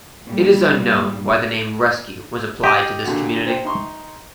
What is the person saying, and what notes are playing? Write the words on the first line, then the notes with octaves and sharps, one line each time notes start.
It is unknown why the name Rescue was applied to this community.
A#2 G3
G4 D#5
A#2 D3 F#4
C5 G5
D#4 C6 C#6